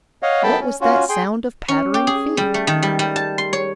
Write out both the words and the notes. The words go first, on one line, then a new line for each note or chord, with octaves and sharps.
What was that sound of pattering feet?
C#5 D#5 F5 F#5
F#2 B3 A4 G5 A5 B5
C#4
C#4 F4 F#4
G#4 G5 C6
C#4
G4
G#4
G3
A3
D#3
G3
G3
A5
C6
C#5